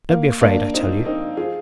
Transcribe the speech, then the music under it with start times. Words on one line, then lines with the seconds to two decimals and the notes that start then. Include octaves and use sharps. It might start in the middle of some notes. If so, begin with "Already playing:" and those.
Don't be afraid, I tell you.'
0.09 A#3
0.41 A#3 D4
0.74 C4 D#4
1.05 C4 D#4
1.37 F4 G#4